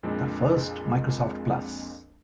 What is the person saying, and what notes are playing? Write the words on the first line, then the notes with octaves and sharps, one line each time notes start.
The first Microsoft Plus!
F2 A#2 F3 G#3 C4 D4